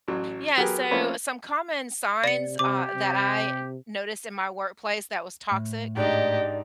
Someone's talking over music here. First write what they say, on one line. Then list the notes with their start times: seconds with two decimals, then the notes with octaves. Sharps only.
Yeah, so some common signs, uh, that I noticed in my workplace that was toxic
0.08 A1 F#3
0.58 F#3 B3 G4 G#4 A#4
0.91 F3 A3 A#3 C4 C#4 B4
2.24 C3 D5 C#7
2.59 C3 G4 D6
2.95 C3
5.51 A2
5.96 G#2 D4 D#4 G4 D5 D#5